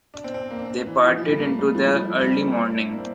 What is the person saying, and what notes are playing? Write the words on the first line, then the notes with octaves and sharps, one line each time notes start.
They partied into the early morning.
D4
C4
C4
A#3
D4
C4
E3
F3
F3
G3
A#3
A3
G3
F3
G3
F3
G3
C4
A#3
C4
D4
E4
D4
A#3
C4